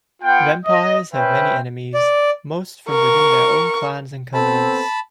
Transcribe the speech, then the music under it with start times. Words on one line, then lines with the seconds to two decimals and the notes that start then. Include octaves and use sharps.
Vampires have many enemies, most from within their own clans and covenants.
0.22 B3 F4 F#5 G5
0.65 D#5
1.13 C#4 B4 C5 E5 G5
1.94 D5
2.89 A#4 C#6
4.34 B3 C4 A4 A5 B5